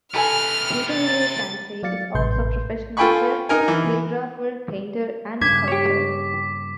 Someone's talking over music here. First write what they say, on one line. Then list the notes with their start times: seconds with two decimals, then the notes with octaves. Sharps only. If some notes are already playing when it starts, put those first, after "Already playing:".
Hitohiro Sensei is also a professional chef, calligrapher, painter, and sculptor.
0.14 C3 G4 A4 B4 G#5 F6
0.91 A6
1.83 F#3 D5 F5 A6 C#7
2.15 A1 G#2 C3 B4 C6 G6
2.97 F4 A4 G5 G#5 B5 C#6
3.49 D#4 A#4 G#5
3.68 E3
5.41 G2 C#3 D6 G#6 B6
5.68 G4 C#5